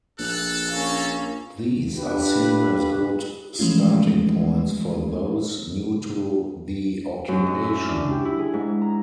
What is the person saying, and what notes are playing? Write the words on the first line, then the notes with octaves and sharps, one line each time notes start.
These are seen as good starting points for those new to the occupation.
A#1 A4 F#6
A#3 C#4
D4 F4 G4 B4
E3 F3 G#3 A3 C#4 F4
F#2
D#5
E4
E5
D4
G4
E4
G#4
G#2
A#5